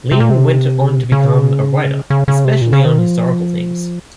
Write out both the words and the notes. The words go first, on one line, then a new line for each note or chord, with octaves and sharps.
Lean went on to become a writer, especially on historical themes.
C3
A#2
C3
C#3
C#3
C#3
C3
A#2
C#3
D#3
F3